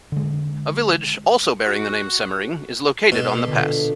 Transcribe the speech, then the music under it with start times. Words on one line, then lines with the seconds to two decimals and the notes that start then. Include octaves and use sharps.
A village also bearing the name Semmering is located on the pass.
0.12 D3 G#3
1.66 F#4
3.12 B2
3.46 A#2 D3